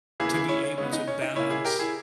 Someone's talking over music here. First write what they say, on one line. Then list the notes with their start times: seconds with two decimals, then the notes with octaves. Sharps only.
to be able to balance
0.20 E2 C#3 E3 A#3 E4 G#4
0.34 E4 G#4
0.48 C#4 E4
0.64 C#4
0.78 C#3 G#3 B3 C#4
0.93 D#4
1.07 C#4
1.22 D#4
1.36 A#2 A#3 C#4 E4
1.50 E4 G#4
1.65 G4 A#4
1.79 E4 G#4